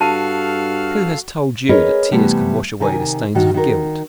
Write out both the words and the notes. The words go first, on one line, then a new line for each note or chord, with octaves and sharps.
Who has told you that tears can wash away the stains of guilt?
G2 F#4 A4 F5 A5 F6
C#4 G#4 A#4 B4 C#5 D#5
C3 E3 G3 A3 B3
C3 D#3 A#4 G#5
G2 D#3 F#4
D#3 F#4 A#4